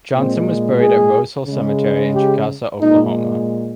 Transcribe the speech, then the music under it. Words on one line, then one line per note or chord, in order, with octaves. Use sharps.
Johnson was buried at Rose Hill Cemetery in Chickasha, Oklahoma.
A#2 G#3 C4
G#4
C#3 G#3
G4
A#2 G#3 D#4